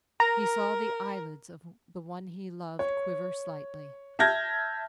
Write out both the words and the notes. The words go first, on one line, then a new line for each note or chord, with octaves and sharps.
He saw the eyelids of the one he loved quiver slightly.
A#4 A#5
C#5
E5 A5 F6 G6 G#6 A#6